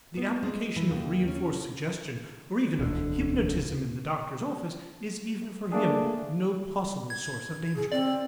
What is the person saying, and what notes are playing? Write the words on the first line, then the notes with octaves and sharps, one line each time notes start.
The application of reenforced suggestion or even of hypnotism in the doctor's office is even for him no possible source of danger.
B3
G#3
E3
D#2
C#4
E1 D2 D3
A3 A#3 D4 G#4
G#6
G#4
C4 D5